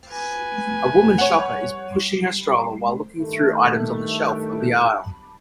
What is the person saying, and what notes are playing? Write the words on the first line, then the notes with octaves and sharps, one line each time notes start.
A woman shopper is pushing her stroller while looking through items on the shelf of the aisle.
B4 G#5
C#5 F#5
G2 D#3 A3